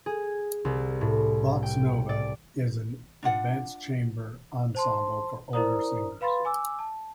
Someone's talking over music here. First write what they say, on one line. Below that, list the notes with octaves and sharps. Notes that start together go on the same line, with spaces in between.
"Vox Nova" is an advanced chamber ensemble for older singers.
G#4
C2
A2
G5
D5
D4 F4 F#5
C5 A5 C6
E4 A#4 C5 D5 A#5 D#6
B4 F5 B5 C6 A6
G#5 D6 E6
A5